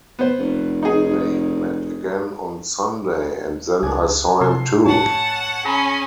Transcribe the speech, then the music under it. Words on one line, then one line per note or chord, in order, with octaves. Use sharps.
They met again on Sunday, and then I saw him too.
B3 C5
F1
D#4 G#4
C#2 D4 G#5
C3 A4 G#5 C6
A2 C#5 F#5 A5
C#4 G#4 A#5 B5